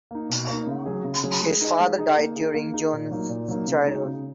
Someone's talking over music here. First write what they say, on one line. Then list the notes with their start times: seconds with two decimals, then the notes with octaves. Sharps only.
His father died during Jones's childhood.
0.11 A#3 D#4
0.29 B2
0.48 A#3 D#4
0.67 C#3
0.86 F#3 C#4 G#4
1.05 C#3
1.23 F#3 C#4 G#4
1.42 G#3
1.61 D#4 G#4 D#5
1.80 G#3
1.98 D#4 G#4 D#5
2.17 A#3
2.36 D#4 G#4
2.54 A#3
2.74 D#4 G#4
2.92 A#2
3.11 F#3 A#3 D#4
3.29 A#2
3.48 F#3 A#3 D#4
3.67 C#3
3.86 G#3 D#4 F#4 C#5
4.05 C#3